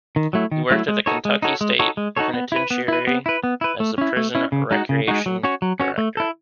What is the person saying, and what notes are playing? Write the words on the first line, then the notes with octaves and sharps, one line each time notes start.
He worked at the Kentucky State Penitentiary as the prison recreation director.
D#3
F#3 A3 E4
D#3
F#3 A3 E4
G#3
D#4 F#4 A4 C#5
G#3
D#4 F#4 A4 C#5
G#3
D#4 F#4 A4 C#5
G#3
D#4 F#4 A4 C#5
B3
E4 B4
B3
E4 B4
B3
E4 B4
B3
E4 B4
A3
C#4 E4
A3
C#4 E4
C#3
G#3 D#4 F#4
C#3
G#3 D#4 F#4
F#3
C#4 F#4 C#5
F#3
C#4 F#4 C#5
A3
E4 A4